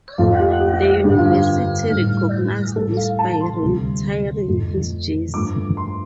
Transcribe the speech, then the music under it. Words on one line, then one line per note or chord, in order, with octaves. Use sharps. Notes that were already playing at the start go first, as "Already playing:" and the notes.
The university recognized this by retiring his jersey.
F2 F3 A3 F4
G4
G4
G4
G2 D3 G3 G4
F4
G4
A2 G3
A2 G3 A4
F5
A5
C6
D2 C3 G3
F2 F3 A3
G2 F3 A3 D6
C6